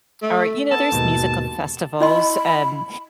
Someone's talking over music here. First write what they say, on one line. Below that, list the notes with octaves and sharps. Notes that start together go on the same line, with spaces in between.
or, you know, there's musical festivals, um,
A3
B3 A4 A5
D#2 G#2 B2
E4 D#5 B5 C6